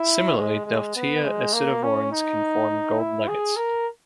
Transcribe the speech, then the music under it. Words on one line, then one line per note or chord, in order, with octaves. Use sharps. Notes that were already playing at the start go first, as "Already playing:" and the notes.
Similarly, Delftia acidovorans can form gold nuggets.
Already playing: E4
G#3
G#3
B3
G#3
A#3
C#4
D#4
E4
G#4
A#4